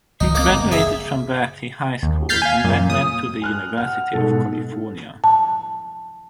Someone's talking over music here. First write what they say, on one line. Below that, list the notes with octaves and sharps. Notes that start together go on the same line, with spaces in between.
He graduated from Berkeley High School and then went to the University of California.
C#2 D#3 F3 D#4
C#2 A#3 C4 D#4 D6
F#1
G#4 E5
D#2
F6 G6 A6 B6 C7
F5 G#5
F#2 A#2
D#6
G#5 F6 F#6
F#5 F6
G#2 B2 A4
A5